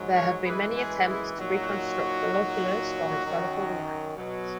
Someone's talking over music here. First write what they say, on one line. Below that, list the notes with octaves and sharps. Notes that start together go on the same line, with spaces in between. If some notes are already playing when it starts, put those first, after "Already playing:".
There have been many attempts to reconstruct the loculus for historical reenactment.
Already playing: G#2 F#3
A#4 C#5
F#2 E3 G#3 G#4 B4
G#4 B4
E4 G#4
A#2 F#3 D#4 F#4
A#2 F#3
F#2 D#3 F#3
B2 F#3